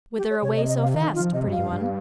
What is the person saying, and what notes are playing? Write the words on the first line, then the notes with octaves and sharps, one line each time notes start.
"Whither away so fast, pretty one?"
G4
C#5
C3 C#5
D#5
D#5
F5
D#3 D#5
F4
F3
C3 D#5
G2
F5
G2
G2